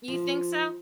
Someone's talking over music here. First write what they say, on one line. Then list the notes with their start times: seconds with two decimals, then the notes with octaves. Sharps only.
You think so?
0.08 F3